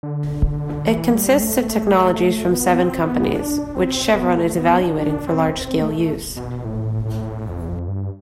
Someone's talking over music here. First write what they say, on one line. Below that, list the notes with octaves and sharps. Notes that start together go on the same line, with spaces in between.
It consists of technologies from seven companies, which Chevron is evaluating for large-scale use.
D3
E3
G3
A3
B3
C4
B3
D4
C4
B3
A3
B3
D4
D4
C4
C4
A3
B2
A2
A2
F2
E2
F2
G2